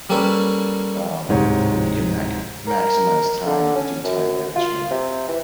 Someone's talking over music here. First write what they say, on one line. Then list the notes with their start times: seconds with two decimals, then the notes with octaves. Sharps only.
um, and you can mac maximize time and do time management
0.10 G3 A#3 C#4 A4 B4
1.29 D1 G#2 C3 C#5
2.67 A#4
3.46 D3
3.75 C#4
4.04 F#2
4.56 F4
4.91 C3
5.29 E3